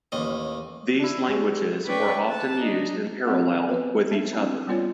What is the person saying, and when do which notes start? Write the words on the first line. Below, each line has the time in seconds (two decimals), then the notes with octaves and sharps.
These languages were often used in parallel with each other.
0.12 A1 D#2 D#5
0.99 D4 E4
1.28 G#3 C#4
1.86 C#4 B4 D5 G5 C#6
2.27 A5 F#6
2.59 D4 D#4
3.28 C4 D#5
3.68 B3 B4
4.12 D#4 E5
4.33 C4 D4 E4
4.67 G3 B3 C#4 F4 C#5 D5